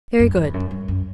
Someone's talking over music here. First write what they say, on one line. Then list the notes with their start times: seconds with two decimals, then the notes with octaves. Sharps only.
"Very good."
0.19 F#2
0.37 F#2
0.45 E2
0.54 F#2
0.71 G2
0.88 F#2